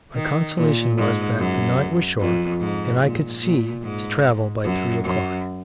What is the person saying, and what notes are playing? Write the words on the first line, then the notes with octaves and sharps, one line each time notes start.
My consolation was that the night was short and I could see to travel by three o'clock.
D#3
A#2
G#2
F#2
F2
G#2
A#2
A#2
G#2
F#2
F#2